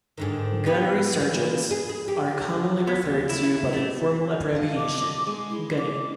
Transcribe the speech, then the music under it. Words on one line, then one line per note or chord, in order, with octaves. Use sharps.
Gunnery sergeants are commonly referred to by the informal abbreviation "gunny".
G#2 D3 D#3
B3 G4 B4
E3
G#4
G#4
G4
B3
D#2
E4
E4
A3
D3 D#5 F5
D6
G#3
E4
D6